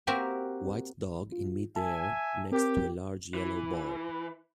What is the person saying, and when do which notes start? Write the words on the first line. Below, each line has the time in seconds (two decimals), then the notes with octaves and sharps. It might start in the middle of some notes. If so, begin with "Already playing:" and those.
White dog in midair next to a large yellow ball.
0.07 A#3 C4 F#4 G4 A#4 E5
1.32 F4
1.76 E5 G#5 A5
2.52 C4 G4 A#4
3.34 E3